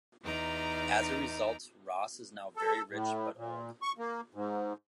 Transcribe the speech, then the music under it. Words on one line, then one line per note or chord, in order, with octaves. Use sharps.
As a result, Ross is now very rich but old.
E2 D#4 D5 A#5
A4
A2
A#2
C#6
A#3
G#2